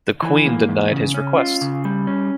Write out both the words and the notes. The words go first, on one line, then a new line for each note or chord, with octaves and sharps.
The Queen denied his request.
E3
A#3
E2
C#3
C#4
F4
C#3
G3
C#4